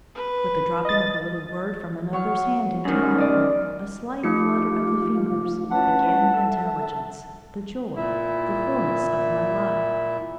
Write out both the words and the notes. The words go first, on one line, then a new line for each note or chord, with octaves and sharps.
With the dropping of a little word from another's hand into mine, a slight flutter of the fingers, began the intelligence, the joy, the fullness of my life.
B4
D#5 A6
F#3 C#6 F6
F#2 D#3
D5 D#5
F3 A3 D#4 F4 G4 C#7
C#4 E4 B4 F#5 A5
A4 E5
A#2 E4